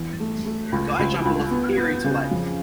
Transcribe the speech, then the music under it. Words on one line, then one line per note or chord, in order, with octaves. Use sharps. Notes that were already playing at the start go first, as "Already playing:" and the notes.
Guy jumping off a pier into lake.
Already playing: E2
A3
A3
C#2
C#2
C#2
B3
B3
C#3
F2